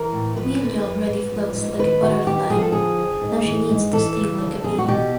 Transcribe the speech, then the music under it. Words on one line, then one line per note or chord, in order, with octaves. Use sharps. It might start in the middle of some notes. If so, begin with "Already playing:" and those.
Milla already floats like a butterfly; now she needs to sting like a bee.
Already playing: E3 A#4
A2
F3 B4
D3
F#2
G#2
F3
G#2
D#2 B4
D#3 F#4
D#2 G4
F3 G#4
A4
D3 G#4
F2
G#2
E3
G#2
E3 A4
C#3
D2
E2 G#4
F#4
B2 G4